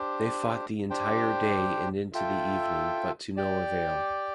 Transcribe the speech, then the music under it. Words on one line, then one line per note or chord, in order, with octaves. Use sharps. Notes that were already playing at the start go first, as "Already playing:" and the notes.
They fought the entire day and into the evening but to no avail.
Already playing: D4 G4 C5
D4 G4 C5 G5
F4 A4 E5 G5
G4 D5 G5